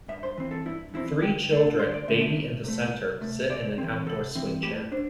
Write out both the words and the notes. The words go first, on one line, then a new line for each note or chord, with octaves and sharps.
Three children, baby in the center, sit in an outdoor swing chair.
G2 E5
C5
E3 C4
A4
G2 E4
E3 C4 E4
D2 G4
D3 A3 D4
D2 C5
D5
D3 A3 D4 E5
E5
C2
C3 A3
C2
C3 A3
C3 D5
E3 C4
C3 A4
E3 C4
A2 G4
D4 C5